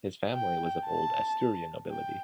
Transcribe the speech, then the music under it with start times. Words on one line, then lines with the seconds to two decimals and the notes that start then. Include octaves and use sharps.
His family was of old Asturian nobility.
0.34 G5
0.86 A5
1.90 G5